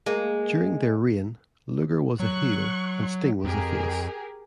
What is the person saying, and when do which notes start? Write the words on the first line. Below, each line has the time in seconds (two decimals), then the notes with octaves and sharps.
During their reign, Luger was a heel and Sting was a face.
0.06 G#3 A#3
2.20 F#3 C#6 F#6
3.44 F2 G4 G#4 A#4